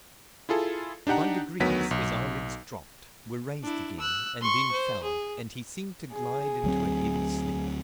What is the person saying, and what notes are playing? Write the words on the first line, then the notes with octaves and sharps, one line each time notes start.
By degrees his eyelids dropped, were raised again, and then fell, and he seemed to glide into a heavy sleep.
E4 F4 G#4 A4
D4 D#4 G4 F#5 A#5
D2 D#3 F#3 B3 B6
B1
D4 E4
E6 F#6
C6 C#6
C5
G#4
G#4
D2 F#3 C4